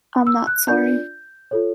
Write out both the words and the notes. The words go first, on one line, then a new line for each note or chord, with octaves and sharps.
I’m not sorry.
E6
F#6
D4 F4 A#4 D5 G6
F4 A4 C#5